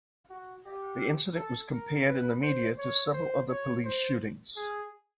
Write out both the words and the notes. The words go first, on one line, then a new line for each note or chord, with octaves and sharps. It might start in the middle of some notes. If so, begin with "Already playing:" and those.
The incident was compared in the media to several other police shootings.
F#4
G4
A4
A#4
B4
C5
C#5
C5
C#5
C5
G#4